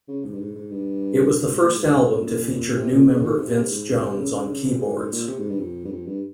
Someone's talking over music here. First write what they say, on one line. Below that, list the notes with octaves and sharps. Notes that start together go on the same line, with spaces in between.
It was the first album to feature new member Vince Jones on keyboards.
C#3
G#2
G2
G#2
G#2
G2
G#2
A#2
G#2
C3
A#2
C3
A#2
C#3
D#3
C3
G#2
C3
C#3
C3
G#2
G#2
A#2
C3
G#2
G2
F2
G2
F2
G2